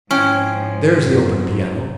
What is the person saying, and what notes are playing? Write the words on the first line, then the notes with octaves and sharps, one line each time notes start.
There's the open piano.
G#2 F3 C#4 E4 C#5 G5
F#2